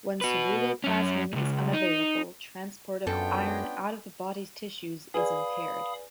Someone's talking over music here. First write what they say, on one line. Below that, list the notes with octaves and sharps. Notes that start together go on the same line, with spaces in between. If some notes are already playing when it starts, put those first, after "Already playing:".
When ceruloplasmin is unavailable, transport of iron out of the body's tissues is impaired.
F#4 B4
F#2 C#4
C#2 G#2
D#4
F#2 B3 C#4 D4 F4 A4 G5
G#4 B4 D5 F5 B5 D#6